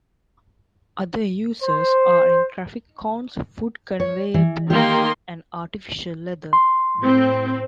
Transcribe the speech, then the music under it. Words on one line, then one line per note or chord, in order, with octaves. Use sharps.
Other uses are in traffic cones, food conveyor belts, and artificial leather.
C5
C#5
E3
D#3 A#3 G4 D#5 C6
C6
A2 C4